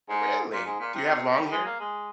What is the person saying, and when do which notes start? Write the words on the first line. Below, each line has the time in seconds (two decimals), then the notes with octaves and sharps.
Really? Do you have long hair?
0.09 G#2
0.53 A#2
0.66 G#2
0.80 A#2
0.95 C3
1.37 G3
1.51 G#3
1.65 A#3
1.80 G#3